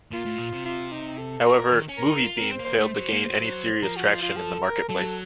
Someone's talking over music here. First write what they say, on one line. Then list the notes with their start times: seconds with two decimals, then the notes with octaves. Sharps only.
However, MovieBeam failed to gain any serious traction in the marketplace.
0.13 A#2 F4
0.26 A2
0.39 A#2
0.53 C3
0.65 F4
0.92 D#4
1.18 A4
1.45 A#4
1.72 D#3
1.89 C#4
1.97 A#4
2.06 D#4
2.24 F4
2.37 C4 A#4
2.51 C5
2.59 A#3
2.65 C5
2.78 A3 C5
2.95 F#3
3.13 A#3
3.30 F#3
3.83 F3 A#4
3.96 F#4
4.05 D#4
4.10 F4
4.22 F4
4.36 A4
4.63 A#4
4.89 F#3 A4